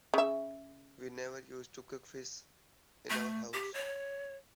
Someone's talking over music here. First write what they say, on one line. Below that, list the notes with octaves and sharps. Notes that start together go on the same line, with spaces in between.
We never used to cook fish in our house.
C#3 E5
A3
G4
C#5